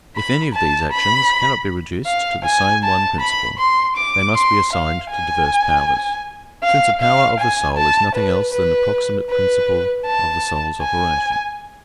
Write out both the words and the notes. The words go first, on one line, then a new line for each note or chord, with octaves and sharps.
If any of these actions cannot be reduced to the same one principle, they must be assigned to diverse powers; since a power of the soul is nothing else than the proximate principle of the soul's operation.
B5
A5
B5
F5
G#5
A5
B5
C6
D6
C6
F5
G#5
F5
F5
G#5
A5
B4
B4
B4
A5
G#5